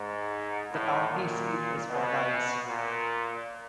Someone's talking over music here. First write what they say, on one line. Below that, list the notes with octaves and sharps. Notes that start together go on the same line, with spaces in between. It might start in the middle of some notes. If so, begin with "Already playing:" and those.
The county seat is Fordyce.
Already playing: G#2
A2
A#2
B2
A#2